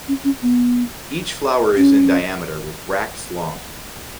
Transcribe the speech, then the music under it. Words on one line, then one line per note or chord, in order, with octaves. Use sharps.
Each flower is in diameter with bracts long.
C#4
C#4
B3
C#4